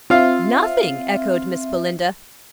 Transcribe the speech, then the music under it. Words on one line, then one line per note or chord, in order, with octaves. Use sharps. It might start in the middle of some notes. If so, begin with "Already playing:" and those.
"Nothing!" echoed Miss Belinda.
C4 F4 E5 F5